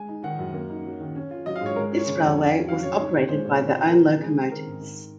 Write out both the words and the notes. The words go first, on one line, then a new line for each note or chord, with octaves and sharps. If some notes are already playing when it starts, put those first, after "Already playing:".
This railway was operated by their own locomotives.
Already playing: G#3 G#5
D#4
D#3 F#5
F#2
A#3
D#4
F#3
D#3
C#4
F4
F#3 D#5
F5
G#2
C#5
G#3 A#4
C#4
C#5
C#3
F2
C#4
F4
F#3 F5
C#3 C#5
D#4
A#2
G#3 C5
A#2
C4
C#3
F3 A#4
C#3
G#3 G#4
C4
D#3 A#4
G#2
D#3